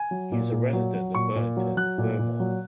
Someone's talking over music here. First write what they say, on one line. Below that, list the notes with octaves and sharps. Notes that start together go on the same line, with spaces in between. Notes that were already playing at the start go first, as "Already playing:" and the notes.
He is a resident of Burlington, Vermont.
Already playing: G#5
F#3
A#2
A#2
F#3
F#3
A#2 C#6
A#2
F#3
F#3 F#6
A#2
A#2
F#3